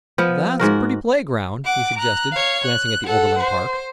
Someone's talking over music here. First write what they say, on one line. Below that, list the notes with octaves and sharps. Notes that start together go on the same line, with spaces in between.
"That's a pretty playground," he suggested, glancing at the Oberlin Park.
F3 B3
G#2 F#4 A#4
F#5 D6
A#5 F#6
C#5 F5
F#6
A4 F#5
C5